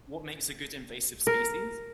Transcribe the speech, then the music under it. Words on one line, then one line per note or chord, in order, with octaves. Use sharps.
What makes a good invasive species?
A#4